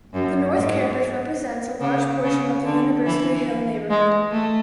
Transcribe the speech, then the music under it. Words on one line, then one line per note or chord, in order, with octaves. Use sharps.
The North Campus represents a large portion of the University Hill neighborhood.
F#2
G#2
C#3
C#3
D3
E3
G#3
A3